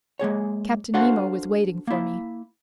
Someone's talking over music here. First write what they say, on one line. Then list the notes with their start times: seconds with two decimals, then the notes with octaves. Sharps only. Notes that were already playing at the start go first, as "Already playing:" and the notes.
Captain Nemo was waiting for me.
0.19 G#3 A#3 G#4 C#5
0.94 D4 F#4 A4 C5 F5 F#5
1.87 A#3 E4